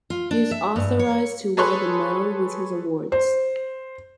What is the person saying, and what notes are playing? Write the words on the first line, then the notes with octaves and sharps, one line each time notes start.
He is authorized to wear the medal with his awards.
F4
D4
E5
G2
C#5
G#4 A4 B4 C#5 C6 F#6
C5